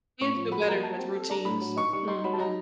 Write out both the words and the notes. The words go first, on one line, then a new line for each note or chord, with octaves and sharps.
Kids do better with routines. Mhm.
A2 C#6
F3
F#4 B5
A#3 A#5
F#4 A5
C4
A4
D4 A#5
A2 B5
F#3
D#4 C#6
G3 C#6
D#4 C6
F#3 B5
A5
D#4 A#5